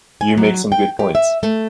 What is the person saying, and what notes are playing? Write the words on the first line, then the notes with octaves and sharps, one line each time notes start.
You make some good points.
G#5
F#3
G5
G4
E5
A3